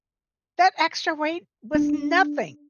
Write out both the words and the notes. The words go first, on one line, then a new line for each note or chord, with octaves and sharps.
that extra weight was nothing.
D4